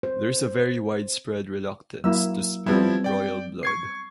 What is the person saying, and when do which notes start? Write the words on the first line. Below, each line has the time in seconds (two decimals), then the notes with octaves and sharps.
There is a very widespread reluctance to spill royal blood.
0.03 C5
2.04 F#3 A#3 E4 E6
2.66 F3 G3 B3 C4 E4
3.04 D5 G5
3.63 C#6 G#6 C7